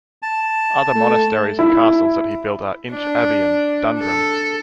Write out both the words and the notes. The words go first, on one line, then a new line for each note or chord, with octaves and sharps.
Other monasteries and castles that he built are Inch Abbey and Dundrum.
A5
A3
E4
D4
A4